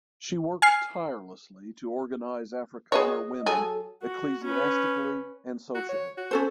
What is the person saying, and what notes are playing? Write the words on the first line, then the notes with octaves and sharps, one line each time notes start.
She worked tirelessly to organize Afrikaner women ecclesiastically and socially.
G#5 F6 C7
G#4 B4 C#5 D#5
F#3 G#4 A4
F#4
C#4 B4
F#4
C#5
F#4
C#4 A4 C5